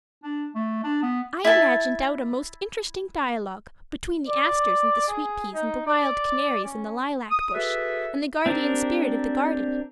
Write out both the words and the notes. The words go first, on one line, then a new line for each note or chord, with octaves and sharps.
I imagined out a most interesting dialogue between the asters and the sweet peas and the wild canaries in the lilac bush and the guardian spirit of the garden.
D4
A3
D4
B3
E4 A5
D5
G#4
D#4
D5
C#4
D#6
F#4 G#4 A4 B4 E5
C4 D4 G4 A#4